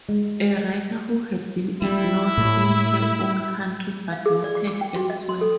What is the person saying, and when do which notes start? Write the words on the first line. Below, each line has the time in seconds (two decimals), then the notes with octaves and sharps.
A writer who had been ignored in her own country but noted elsewhere.
0.09 G#3
1.82 G3 E4
2.38 A2
4.12 F5
4.26 G#4
4.44 D5
4.55 D6
4.67 D6
4.81 G5
4.96 F#4
5.10 D#5
5.29 C6
5.41 A4